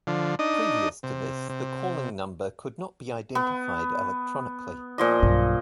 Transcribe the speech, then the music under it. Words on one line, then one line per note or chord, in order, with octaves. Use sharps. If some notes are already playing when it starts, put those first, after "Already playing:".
Previous to this, the calling number could not be identified electronically.
D3 F3
D4 D#4 D#5
C3
C3
B3
A#2 F3 D#5
B1 G2